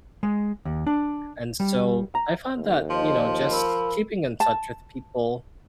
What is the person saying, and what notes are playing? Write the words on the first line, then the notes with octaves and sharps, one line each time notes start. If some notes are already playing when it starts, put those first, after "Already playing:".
and so, I find that, you know, just keeping in touch with people,
G#3
D#2
D4
G3
A#5
D#2
F3 D#5 C6
A#4 B5 E6
A5